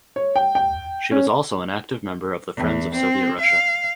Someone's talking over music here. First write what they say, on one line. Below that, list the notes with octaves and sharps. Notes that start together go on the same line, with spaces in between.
She was also an active member of the Friends of Soviet Russia.
C#5
G5
G5
C#4
E2
C4
F5